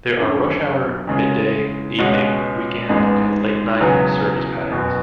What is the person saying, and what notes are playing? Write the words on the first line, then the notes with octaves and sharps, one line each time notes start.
There are rush-hour, midday, evening, weekend and late night service patterns.
F#1 F#2 D3 A3 C#4
E2 C#3 G#3 C#4
C#2 B2 G#3 C#4 F#4
A1 G#2 G#3 B3
E1 E2 C#3 F#3 B3
F#1 E2 B2